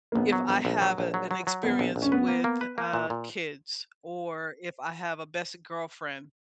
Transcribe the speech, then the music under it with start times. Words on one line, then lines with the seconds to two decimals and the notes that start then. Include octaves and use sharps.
if I have, uh, an experience with, uh, kids or if I have a best girlfriend,
0.12 A#3
0.15 A#1 B3
0.33 F#3
0.49 A#1
0.65 A#1
0.82 F#3
0.98 A#1
1.14 F#3
1.31 F#3
1.47 F#3
1.63 A#1 B3
1.79 A#1
1.96 A#1
2.02 C#4
2.12 B3 B4
2.28 A#3
2.44 A#3
2.61 B4
2.78 A#3
2.93 A#2
3.10 A#2